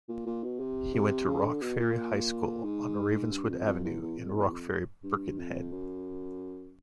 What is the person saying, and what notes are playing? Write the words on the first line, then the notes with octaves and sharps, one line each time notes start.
He went to Rock Ferry High School on Ravenswood Avenue in Rock Ferry, Birkenhead.
A#2
A#2
B2
C3
C3
C#3
D3
B2
A#2
G#2
G2
F2
F2
E2
E2
F2
E2
F2
G2
F2
F#2